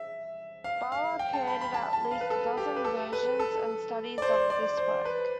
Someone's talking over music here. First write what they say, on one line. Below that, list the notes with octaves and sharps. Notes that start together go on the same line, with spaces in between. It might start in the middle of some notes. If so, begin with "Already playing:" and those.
Balla created at least a dozen versions and studies of this work.
Already playing: E5
F5
F5
G5
A5
B5
B5
A5
A5
F5
B4
A4
G4
B4
A4
B4
A4
D5
C5
D5
C5
B4